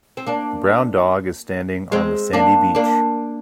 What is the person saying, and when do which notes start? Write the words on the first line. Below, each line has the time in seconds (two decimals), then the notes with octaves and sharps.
The brown dog is standing on the sandy beach.
0.17 C4
0.27 A#3 D4
1.92 G#3 C4
2.33 A#3 D4
2.75 A#3 D4